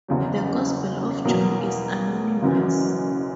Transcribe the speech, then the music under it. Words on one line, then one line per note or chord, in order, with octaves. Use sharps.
The Gospel of John is anonymous.
F#1 E2 C#3 F#3
E2 B2 F#3 A#3
F#1 F#2 E3